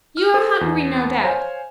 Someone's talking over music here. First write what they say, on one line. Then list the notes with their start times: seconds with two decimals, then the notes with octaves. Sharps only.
You are hungry, no doubt.
0.17 F6
0.34 G#4 A4 C5 D#6
0.61 E2
1.24 C5 C#5 F5 G#5